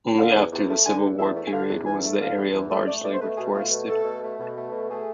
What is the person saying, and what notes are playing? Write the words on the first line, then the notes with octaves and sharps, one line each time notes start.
Only after the Civil War period was the area largely reforested.
D3 F5
E2
E2
A3
D3 G#5
E2
E2 E5
A3
G#5
D3 F5
E2
E2 G#5
A3
D3 F5
E2
E2
A3
A3 D5
B2 D5
C5
A3 B4
B2 G#4
A3 F4
B2
A3 A4
B2
A3
B2
A3
B2
A3 G#4